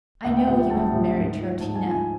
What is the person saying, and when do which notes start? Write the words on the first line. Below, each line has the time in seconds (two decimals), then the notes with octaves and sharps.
I know you have married Troutina.
0.25 D2 F#5
0.37 G5
0.47 C3 F3 F#5
0.70 D2 A5
0.92 C3 F3
1.16 G#2
1.38 F3
1.60 G#2 A5
1.75 G#5
1.83 F3
1.91 G#5